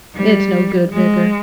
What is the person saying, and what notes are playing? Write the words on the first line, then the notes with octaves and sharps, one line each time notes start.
'It's no good, Vicar.
G3
G#3